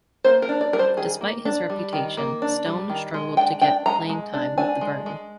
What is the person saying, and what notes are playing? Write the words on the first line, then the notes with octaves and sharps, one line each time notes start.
Despite his reputation, Stone struggled to get playing time with the Burn.
A#3 C5
A#4
D4
D5
G3 A#4
C5
D#3 G#4
A#3
D4
G3
D#3
A#3
D4
G3
D#3
G#3
D4 G5
D4 G5
G#3 A#5
G#3
D4
D4 G#5
G#3
G#3